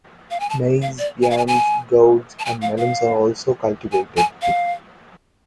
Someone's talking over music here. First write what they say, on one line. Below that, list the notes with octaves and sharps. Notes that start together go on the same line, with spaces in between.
Maize, yams, gourds and melons are also cultivated.
F5
G#5
A5
F5
D5
G#5
F5
G#5
G#5
A5
G#5
F5
F5
G#5
G#5
F5